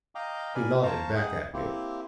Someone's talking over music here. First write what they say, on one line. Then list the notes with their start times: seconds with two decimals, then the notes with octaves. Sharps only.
She nodded back at me.
0.15 D#5 F5 G5 A#5 D6
0.55 A#4 B4 D5 G#5 B5
0.83 C5 F5 A5 A#5 C#6
1.15 D#4 G#4 F#5 G5
1.53 A#3 C4 E4 G4